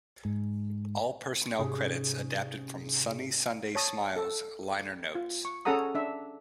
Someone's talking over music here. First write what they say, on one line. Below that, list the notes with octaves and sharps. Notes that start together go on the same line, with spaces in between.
All personnel credits adapted from "Sunny Sundae Smile"s liner notes.
G#2
G#2 C3 C#4 G#4
C#5 A5 D#6
A4
F4
C#6
C#4 G#4 A4 F#5 A#5 D#6
D4 E5